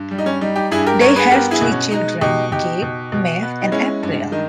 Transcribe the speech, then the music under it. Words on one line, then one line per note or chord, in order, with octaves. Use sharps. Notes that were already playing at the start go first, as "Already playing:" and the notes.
They have three children: Gabe, Matt, and April.
Already playing: G2
G3
D#4
C#4
G3 D#4
D#4 G4
G2 E4 G#4
G4 A#4
G2 A#4 C#5
G#4 B4
B3 G4 A#4
E4 G#4
B2
C#4
G#3 D#4
B2 D#4 G4
B2 D#4 G4
B2
B2
B3
D#4
G#3 C#4 E4
G2
D#3 D#4